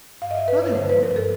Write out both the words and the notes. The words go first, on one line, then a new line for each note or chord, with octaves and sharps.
"No, they won't...."
G2 F5
D#5
G2 E5
B4
G2 C#5
G2 C5
F3 B4
A#4
G2
A4